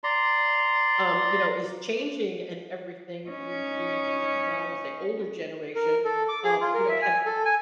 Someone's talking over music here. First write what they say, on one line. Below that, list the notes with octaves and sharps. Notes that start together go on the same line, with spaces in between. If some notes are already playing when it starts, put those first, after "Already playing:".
um, you know, is changing and everything, the the and I wanna say older generation, um, you know, have
D5 A#5 C6
C#4 D#4
A#4
A4
D6
G#4
F4
A#4
E5
G#5
A4
G#5